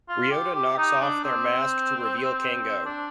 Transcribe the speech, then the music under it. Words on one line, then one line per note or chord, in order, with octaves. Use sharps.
Ryota knocks off their mask to reveal Kengo.
F4
G4
G4
D#4
D4
C4
D4